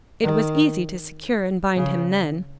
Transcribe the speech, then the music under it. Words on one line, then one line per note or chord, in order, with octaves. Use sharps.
It was easy to secure and bind him then.
D#3
C#3